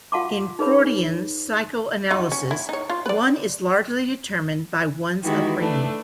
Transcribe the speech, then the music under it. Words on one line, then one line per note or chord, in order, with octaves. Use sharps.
In Freudian psychoanalysis, one is largely determined by one's upbringing.
F4 F5 F#5 A5 C6 D6
D#4 G#4 B4 C#5 B5
F#3 D#4 F4
C#4
E4
D#4 C#5
F4
B4 D5
D#3 E3 G#3 F#4 G4
A3 D4 B4